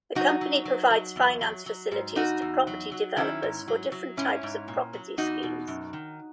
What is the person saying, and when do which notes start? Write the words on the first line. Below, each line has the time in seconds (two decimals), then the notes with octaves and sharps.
The company provides finance facilities to property developers for different types of property schemes.
0.15 F#3 D#4 F#4
0.41 F#3
0.65 F#3
0.90 F#3
1.16 E2
1.41 F#3
1.66 F#3
1.92 G#2
2.16 E2 D#4 F#4
2.42 E2
2.67 F#3
2.92 F#3
3.17 D#3 C#4 E4
3.43 G#2
3.68 F#3
3.92 F#3
4.17 G#2 C#4 E4
4.43 G#2
4.68 A#2
4.93 F#3
5.18 E2 D#4 F#4
5.43 B2
5.68 F#2
5.93 D#3